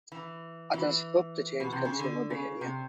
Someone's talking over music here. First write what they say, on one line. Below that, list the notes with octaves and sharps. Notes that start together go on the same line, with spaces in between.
Others hope to change consumer behavior.
E3
E3
B2
C3
C#3
D3
C#3
C3